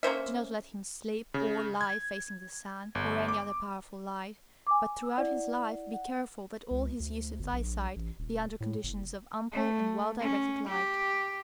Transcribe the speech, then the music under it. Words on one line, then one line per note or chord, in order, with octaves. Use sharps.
Do not let him sleep, or lie, facing the sun, or any other powerful light, but throughout his life be careful that all his use of eyesight be under conditions of ample and well-directed light.
A#3 C#4 C5 E5
C#3
G#6
G1
D6
G#5 D6
E6
E4 D5 F#5
F#5
C#2
D2
G1
A#1
A1
D#1
A2
F#1
A3
C#4
G4